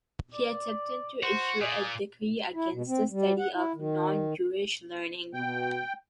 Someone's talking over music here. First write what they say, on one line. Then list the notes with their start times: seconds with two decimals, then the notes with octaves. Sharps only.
He attempted to issue a decree against the study of non-Jewish learning.
0.33 D5
1.23 F#4 C5
1.61 A#2 G#4
2.54 E4
2.72 B2
2.87 C4
3.11 G3
3.39 F#5
3.54 E4
3.74 D#3
5.34 B2 G5